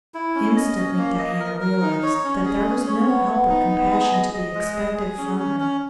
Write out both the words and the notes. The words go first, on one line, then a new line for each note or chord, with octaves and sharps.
Instantly Diana realised that there was no help or compassion to be expected from her.
E4
C#4
D#5
C#4
A#3
D#5
A#4
A#4
D#4
C#5
C#4
G#4
C#4
C#5
B3
B3
D#4
B3
G#4
D#5
D#5
G#3
G#4
G#4
C#4
C#4
C#4